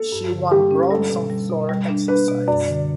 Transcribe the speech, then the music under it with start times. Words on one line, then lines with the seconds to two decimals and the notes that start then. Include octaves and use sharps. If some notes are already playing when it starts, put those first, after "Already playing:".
She won bronze on floor exercise.
Already playing: A4
0.12 G2
0.32 D3
0.51 G3 G4
0.71 C#4
0.91 G3 A4
1.10 B2
1.30 G3
1.50 B2
1.69 G3
1.89 D4
2.08 D4 B4
2.28 B2
2.47 F#2 D5
2.68 D3